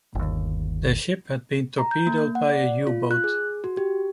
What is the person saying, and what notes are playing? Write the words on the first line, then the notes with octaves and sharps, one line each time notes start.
Their ship had been torpedoed by a U-boat.
G1 D#2
A#5
G6
A#3
F#5
D5
F4
F#6
G#4
F#4
G4